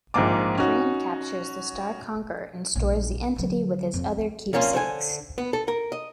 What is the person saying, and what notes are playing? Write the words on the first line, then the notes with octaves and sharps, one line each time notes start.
Dream captures the Star Conqueror and stores the entity with his other keepsakes.
A#1 G#2 A#3 D6
C#4 D#4 F#4
A#1
D3 F#3
F2
F2 A#2 A#3 C#4 F4
D3 C5 G#5
B3
A4
A#4
D#5